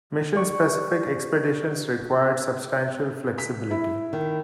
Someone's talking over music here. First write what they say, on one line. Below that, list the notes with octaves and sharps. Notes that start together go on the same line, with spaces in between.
Mission-specific expeditions required substantial flexibility.
G4 D5 C#6
B6
E4
D#3